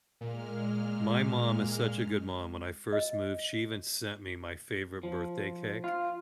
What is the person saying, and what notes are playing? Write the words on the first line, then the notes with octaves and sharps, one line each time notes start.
my mom is such a good mom. When I first moved, she even sent me my favorite birthday cake
A#2 G#3 F6
D#5
F3
F4